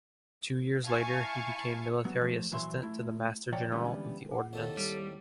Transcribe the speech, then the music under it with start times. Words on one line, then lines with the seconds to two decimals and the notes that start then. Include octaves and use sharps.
Two years later he became Military Assistant to the Master-General of the Ordnance.
0.83 E4 F5 G#5 A5 C#6
2.05 F#3 B3
2.21 F3 A3
2.52 A#2 E3 F#3 E5 C6
2.83 A3 E4
3.52 A#2 F3 C#5 D5 G5
3.72 D3 E3 G3 G#3 B3 C#4
4.31 G#4 F#5
4.53 D#2 A2 C3 A4
4.77 G3